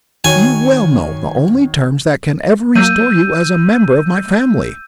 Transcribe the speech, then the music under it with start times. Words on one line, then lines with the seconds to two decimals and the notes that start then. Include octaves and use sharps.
"You well know the only terms that can ever restore you as a member of my family."
0.24 D#3 F#4 C#5 G#5
2.75 F#3 A#3 E6 G6 D#7